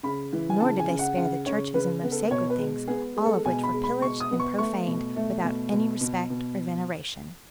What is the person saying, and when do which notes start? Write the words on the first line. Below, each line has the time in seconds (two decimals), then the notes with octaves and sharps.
Nor did they spare the churches and most sacred things; all of which were pillaged and profaned, without any respect or veneration.
0.03 C#3 B5
0.33 E3
0.50 G#5
0.60 C#3 A5
0.80 G#5
0.89 C#3
0.99 F#5
1.17 C#3 F#5
1.46 C#3 C#5
1.74 C#3 B4
2.03 B3
2.12 A4
2.31 B2 C#5
2.50 B4
2.59 G#3
2.88 B3 G#4
3.17 G#3
3.25 A4
3.45 B2 G#5
3.63 B5
3.74 G#3
3.84 B5
4.02 B2 C#6
4.20 D#6
4.31 B3
4.40 C#6
4.58 A3 C#6
4.87 B2
5.16 A3
5.44 B2
5.72 B2
6.01 B2
6.30 B2